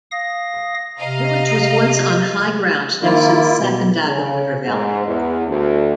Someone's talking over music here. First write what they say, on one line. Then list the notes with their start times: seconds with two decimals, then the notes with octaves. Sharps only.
The village was once on high ground next to the Sacandaga River valley.
0.11 F5 D#6 A#6
1.00 C3 D#5 F5 A#5
3.02 D#3 A#3 E4 F4
3.60 B2
4.06 C#3
4.66 G#2
5.06 E2
5.47 D2